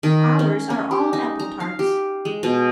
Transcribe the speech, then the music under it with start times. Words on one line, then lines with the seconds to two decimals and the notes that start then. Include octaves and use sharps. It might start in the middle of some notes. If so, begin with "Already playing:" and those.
Ours are all apple-tarts.
0.03 D#3
0.39 C#4
0.70 C#4
0.91 G4
1.13 D#4
1.39 A#5
1.60 F5
1.79 G4
2.25 G#3
2.43 B2